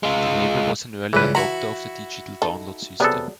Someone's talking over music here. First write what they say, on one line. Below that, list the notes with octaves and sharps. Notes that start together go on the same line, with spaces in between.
The label was an early adopter of the digital download system.
G#3 F4
C#2 G2 E3 B4
E4 F#4 A#5 B5
D#4 A4
C3 F#3 B3 G#4 A4 D5